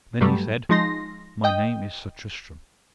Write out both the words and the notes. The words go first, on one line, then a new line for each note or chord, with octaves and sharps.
Then he said: My name is Sir Tristram.
G2 F#3 G3 A3
F3 G#3 D#4 C6 A#6
D#5 G5